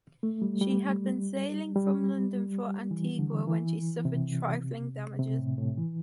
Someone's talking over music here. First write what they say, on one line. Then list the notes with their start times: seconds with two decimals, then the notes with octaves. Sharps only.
She had been sailing from London for Antigua when she suffered trifling damages.
0.23 A3
0.42 G3
0.61 G3
1.76 G3
2.91 E3
3.19 D3
3.47 E3
4.05 C3
5.19 C3
5.39 A2
5.58 A2
5.77 E3